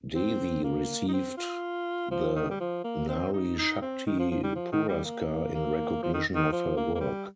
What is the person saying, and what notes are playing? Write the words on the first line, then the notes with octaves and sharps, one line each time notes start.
Devi received the Nari Shakti Puraskar in recognition of her work.
C4
A#3
D#4
C4
F4
F3
D#3
G3
F3
A#3
C4
D#4
D#4
C4
D#3
F3
F3
G3
F3
D#3
G3
A#3
A#3
F3
D#3
D#3
F3
A#3
A#3
G3